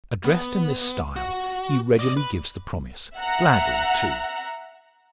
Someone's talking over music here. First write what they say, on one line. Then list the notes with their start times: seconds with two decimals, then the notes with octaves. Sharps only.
Addressed in this style, he readily gives the promise--gladly, too.
0.25 B3
1.16 F#4
1.99 D5 D#5
2.17 B4
3.17 E5 F#5 A#5